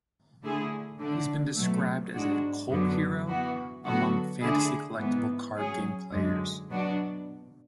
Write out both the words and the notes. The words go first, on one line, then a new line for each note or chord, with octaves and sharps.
He has been described as a "cult hero" among fantasy collectible card game players.
D3 A3 E4 G#4
D3 A3 D4
B2 F#3 A3
G#2 G#3 D4 F#4
F#2 D3 F#3 B3
E3 B3 F#4
D3 F#3 B3 F#4 A4
D3 A3 E4 G#4
G#2 E3 B3
F#3 C#4 G#4
F#2 D3 G#3
B2 F#3 B3 D4 F#4